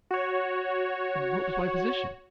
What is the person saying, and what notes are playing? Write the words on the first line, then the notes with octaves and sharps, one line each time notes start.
And what was my position?
F#4 C#5